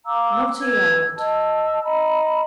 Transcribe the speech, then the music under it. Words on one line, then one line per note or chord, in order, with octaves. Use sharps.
"Not a yard."
F5 A#5 D6 E6
B4 E6 G#6
D#5 A5 E6
D#5 A#5 B5